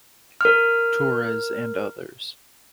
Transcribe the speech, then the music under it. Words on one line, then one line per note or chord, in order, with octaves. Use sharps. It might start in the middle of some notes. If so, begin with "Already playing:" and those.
Torres and others.
A#4 F6